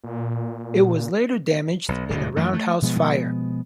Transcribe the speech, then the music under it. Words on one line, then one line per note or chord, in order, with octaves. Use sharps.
It was later damaged in a roundhouse fire.
A#2
B1
D1 D2 G#2 B2
F#2 E3 A3
A3
B2 F3 G#3 B3